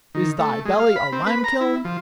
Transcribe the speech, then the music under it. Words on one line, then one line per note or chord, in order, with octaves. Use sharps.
Is thy belly a lime-kiln?
D#3
A3
G#3
F5
B5
C4
B4
A#5
E4
F3